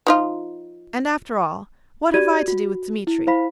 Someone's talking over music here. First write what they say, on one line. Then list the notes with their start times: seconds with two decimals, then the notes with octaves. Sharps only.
And after all, what have I to do with Dmitri?
0.07 F3 D#4 F4
2.14 F#4 G4 D5 G#6 D#7
2.48 F#4
3.07 E4
3.27 E4 C5 F5 B5 B6